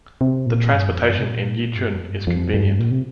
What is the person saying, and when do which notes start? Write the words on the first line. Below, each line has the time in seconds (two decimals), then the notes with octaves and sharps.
The transportation in Yichun is convenient.
0.21 C3
0.46 A#2
0.73 G2
0.90 F2
1.07 G2
1.19 C3
1.25 A#2
1.76 G2
1.94 F2
2.10 G2
2.27 F2
2.54 G2
2.79 A#2
2.91 C3